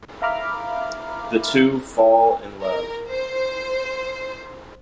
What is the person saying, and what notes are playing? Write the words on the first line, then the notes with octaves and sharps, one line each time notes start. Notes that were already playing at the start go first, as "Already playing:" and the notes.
The two fall in love.
E5 F5 A#5 B5 D6 F6
A#4
C5